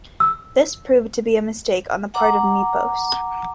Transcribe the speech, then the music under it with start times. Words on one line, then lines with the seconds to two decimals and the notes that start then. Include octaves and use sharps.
This proved to be a mistake on the part of Nepos.
0.20 E6
2.14 F#5 A#5 D6